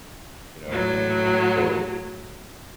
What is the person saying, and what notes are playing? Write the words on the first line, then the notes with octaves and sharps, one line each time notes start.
You know, and and so
A2 F#3